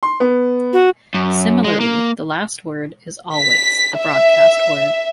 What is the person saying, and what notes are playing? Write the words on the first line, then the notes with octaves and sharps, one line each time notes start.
Similarly, the last word is always the broadcast word.
C6
B3
F#4
F#2
G#3
A#3
B6
E5